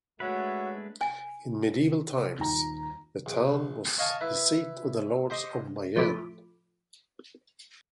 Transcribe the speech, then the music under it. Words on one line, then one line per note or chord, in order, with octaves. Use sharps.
In medieval times, the town was the seat of the Lords of Mayenne.
G#3 A3 D4 F#4 B4 C#5 E5
G#5
D#1 D#4 A#5
A#1
C#5 D#5 F5 G#5 A5
E4 B4
G4 C5 D#5
A2 F3 A3 B5 D6